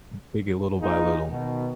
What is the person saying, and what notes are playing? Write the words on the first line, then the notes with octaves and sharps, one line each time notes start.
M take it little by little.
A#3 D#4 F4 G#4
B2 D#3